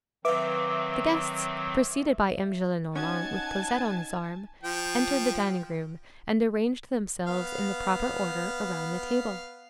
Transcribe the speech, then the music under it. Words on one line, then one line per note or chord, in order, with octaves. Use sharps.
The guests, preceded by M. Gillenormand with Cosette on his arm, entered the dining-room, and arranged themselves in the proper order around the table.
D#3 F#3 C4 B4 E5 F5 D6
C#4 D#4 F#4 F#5 G#5 A5 G#6
F3 G5
B3 F5